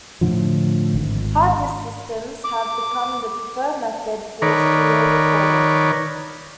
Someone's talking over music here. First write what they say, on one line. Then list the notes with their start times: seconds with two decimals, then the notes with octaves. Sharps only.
Hard disk systems have become the preferred method for studio recording.
0.21 A2 D3 F3
0.94 G#1
2.44 D6
4.42 D#3 A#4 B4 C#5 D5